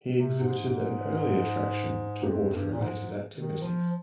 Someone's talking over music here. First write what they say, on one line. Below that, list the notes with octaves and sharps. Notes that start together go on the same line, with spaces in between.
He exhibited an early attraction to water-related activities.
C3
G#2
G#2
G2
F2
G2
A#2
G#2
D#3
F3